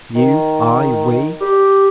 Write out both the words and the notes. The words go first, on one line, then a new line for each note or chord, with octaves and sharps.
You, I, we.
D#3
G4